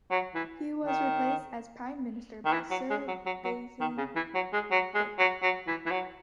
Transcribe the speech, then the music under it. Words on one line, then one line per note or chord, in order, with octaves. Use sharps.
He was replaced as Prime Minister by Sir Basil Brooke.
F#3
E3
D#3
D#3
E3
F#3
G#3
F#3
F#3
F#3
D#3
C#3
E3
F#3
G#3
F#3
G#3
F#3
F#3
E3
E3
F#3